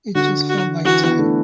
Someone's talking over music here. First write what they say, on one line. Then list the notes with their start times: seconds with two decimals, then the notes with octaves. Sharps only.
It just felt like time.
0.15 D3 F#4
0.49 F#4
0.85 E3 F#4
1.02 B3 E4
1.19 A3 D4